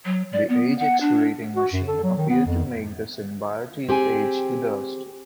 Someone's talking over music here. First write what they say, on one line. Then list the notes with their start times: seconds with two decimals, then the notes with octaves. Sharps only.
The age-accelerating machine appeared to make the symbiotes age to dust.
0.06 F#3
0.33 D5
0.49 B3
0.79 F#5
1.01 D4
1.56 F#4
1.73 F#2
1.87 A4
2.03 F#3
2.17 D#3
2.30 B3
2.46 F2
3.89 C4 G4 G#4 G#5